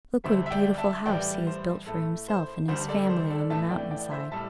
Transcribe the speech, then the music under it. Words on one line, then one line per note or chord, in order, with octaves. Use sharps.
Look what a beautiful house he has built for himself and his family on the mountain-side.
D2 D3 G3 C5 E5
E5
D5 G5
E5 A5
A2 E3 G3 D5 G5
C5
A2 A3 A4
C5
D2 D3 G3 C5
A4 D5
C5
A4 D5
A2 E3 A3 E5 A5
D5 G5
D5 G5
C5 E5
A2 G3 E5 A5